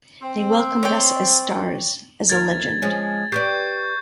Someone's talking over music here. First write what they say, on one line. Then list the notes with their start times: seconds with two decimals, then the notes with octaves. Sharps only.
They welcomed us as stars, as a legend.
0.22 C4
0.83 C#5 D5 G5
2.30 D#2 A#4 G#6 A6
2.82 F3 G#3 C#4
3.32 G4 B4 D5 C#6 G6 C7